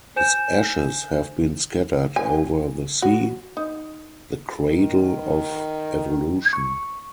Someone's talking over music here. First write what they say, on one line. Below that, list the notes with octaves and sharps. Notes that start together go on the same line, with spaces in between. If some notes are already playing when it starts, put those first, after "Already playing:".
His ashes have been scattered over the sea, the cradle of evolution.
C5 G#5 G6 E7
G#5
F#4
D#4
D#3
C#6